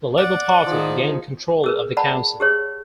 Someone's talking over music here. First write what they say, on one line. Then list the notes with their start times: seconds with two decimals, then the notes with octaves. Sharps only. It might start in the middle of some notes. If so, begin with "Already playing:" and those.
The Labour party gained control of the council.
0.18 D5 F#5
0.66 D#3 F3 D#4 G#4
1.64 G#4 A#4 B4
1.97 D5 F#5 A5 B5
2.40 G4 G#4 C#5